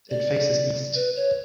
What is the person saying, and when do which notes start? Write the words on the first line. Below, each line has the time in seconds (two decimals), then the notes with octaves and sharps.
It faces east.
0.10 D5
0.95 B4
1.16 C#5